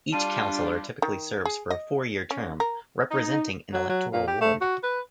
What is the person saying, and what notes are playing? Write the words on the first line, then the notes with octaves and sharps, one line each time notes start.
Each councillor typically serves for a four-year term, representing an electoral ward.
G3 D4 F4 A5 D#7
D#3
G#4
D#5
C#4
A#4
D#4
F#3
F#3
A#2
G4
A3
F#4
B4